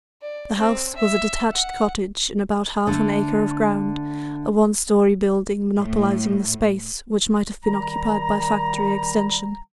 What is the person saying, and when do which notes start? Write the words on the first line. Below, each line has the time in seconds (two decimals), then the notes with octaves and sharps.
The "house" was a detached cottage in about half an acre of ground, a one-storey building, monopolising the space which might have been occupied by factory extension.
0.22 D5
0.57 C4
0.96 E5
1.54 F#5
2.87 D3 A3
5.79 A2
7.64 D#3 G3 A#5